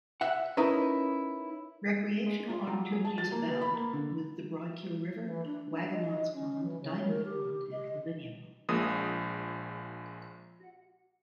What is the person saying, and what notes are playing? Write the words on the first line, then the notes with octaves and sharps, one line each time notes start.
Recreational opportunities abound with the Broadkill River, Wagamon's Pond, Diamond Pond and Lavinia Pond.
E5 F#5
C#4 D#4 E4 A#4 B4
G#3
F4
F#3
G#4
A5
A6
A#3
B3
B5
A#3
D3
E3
D4
D4
D#5
C#4
E3
C#3
A#4
G4
D#5
A#1 A#2 G#3 D#6